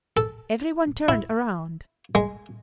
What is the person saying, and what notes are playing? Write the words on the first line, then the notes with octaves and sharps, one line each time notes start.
Every one turned round.
A4
E4
G#3